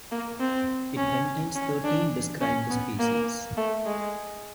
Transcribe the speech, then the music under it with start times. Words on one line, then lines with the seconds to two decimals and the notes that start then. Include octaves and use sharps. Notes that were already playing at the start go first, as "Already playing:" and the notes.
It contains thirteen described species.
0.12 A#3
0.40 C4
0.97 C#4
1.55 C#4
1.84 D4
2.41 C#4
2.70 B3
3.00 A#3
3.57 A3
3.86 G#3